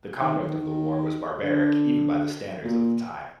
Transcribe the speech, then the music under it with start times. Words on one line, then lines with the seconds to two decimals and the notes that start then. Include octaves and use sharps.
The conduct of the war was barbaric even by the standards of the time.
0.21 D#3
0.42 D#3
0.62 D#3
1.44 D3
2.64 A#2